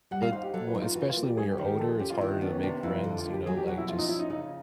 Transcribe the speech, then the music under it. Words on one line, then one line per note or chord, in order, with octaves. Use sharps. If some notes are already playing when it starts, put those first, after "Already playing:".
it w especially when you're older, it's harder to make friends, you know, like, just
G3 F#5
F5
D#4 C5
G4
F#3 A4
B4
D#4
F4
E3 F#4
F4
A#3
G4
G3 G#4
G4
D#3
G4
F3 A4
G#4
C#4 G4
F4
D#3 E4
D#4
B3 D4
C#4
C3 D4
F2 E4
D3
F4
D#2
G4
F#3 G#4
G4
B2 F#4
E4
F3 F4
D#4
C#4 E4
D#4
C#3 D#4